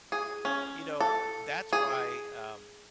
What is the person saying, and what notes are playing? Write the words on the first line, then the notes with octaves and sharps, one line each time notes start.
you know, that's why, um,
G#4
C#4
A4
G#4